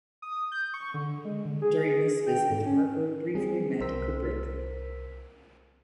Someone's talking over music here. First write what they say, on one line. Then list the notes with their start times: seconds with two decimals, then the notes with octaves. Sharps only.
During this visit, Harper briefly met Kubrick.
0.22 D#6
0.52 G6
0.74 C#6
0.94 D3
1.25 G#3
1.45 D3
1.62 G#4
2.27 G5
2.50 G#2
2.66 C#4
3.35 F#3 G3 C4 G#4
3.80 C2 A#4 C5 E6 B6